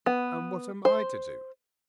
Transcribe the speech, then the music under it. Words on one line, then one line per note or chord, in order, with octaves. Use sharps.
'And what am I to do?'
B3
C5